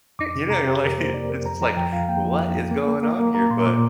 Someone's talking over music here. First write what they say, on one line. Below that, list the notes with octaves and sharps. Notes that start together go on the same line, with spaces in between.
You know, you're, like, it's just like, what is going on here, but,
F2 D6
C3
C3 A#5
C3 G4
F2 A#4
A#3 C5
C3 D5
F2 A#4
F2 A#5
F3 A#5
F2 G5
F2 F5
A#3 G5
F3
F2
F2
A#3
A#3
A#3
A#3
A#3 A#5
A#2 C6
A#2 D6